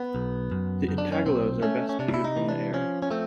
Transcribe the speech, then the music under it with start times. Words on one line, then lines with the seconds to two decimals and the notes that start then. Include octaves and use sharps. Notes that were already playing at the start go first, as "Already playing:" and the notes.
The intaglios are best viewed from the air.
Already playing: B3
0.15 B1
0.51 F#2
0.88 F#2
0.98 D4
1.12 C#4
1.26 B1 C4
1.62 A3 C#4
1.89 C#4
1.99 C3 D4
2.14 E4
2.24 D#4
2.37 E3
2.49 D4
2.74 F3 C#4
3.02 C#4
3.11 A3 C4